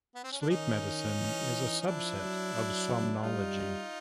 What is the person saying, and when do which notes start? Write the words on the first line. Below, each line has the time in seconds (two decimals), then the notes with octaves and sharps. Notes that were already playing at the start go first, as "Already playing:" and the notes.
Sleep medicine is a subset of somnology.
0.15 B3
0.24 C4
0.32 C#4
0.41 D4
0.50 D#3 C#4 D#4
1.18 E3
1.81 D#4
1.86 F3 D4 E4
2.21 F#3
2.54 F#3
3.22 G3 D#4 F4